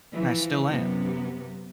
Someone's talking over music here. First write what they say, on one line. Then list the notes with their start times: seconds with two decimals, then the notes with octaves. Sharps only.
and I still am.
0.14 E3 F3
0.68 F#2 C3 B3